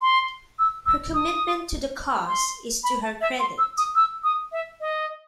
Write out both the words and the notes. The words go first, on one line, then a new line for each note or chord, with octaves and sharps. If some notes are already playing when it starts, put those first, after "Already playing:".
Her commitment to the cause is to her credit.
C6
E6
E6
D#6
C6
B5
A5
E5
C6
E6
D#6
E6
D#6
E5
D#5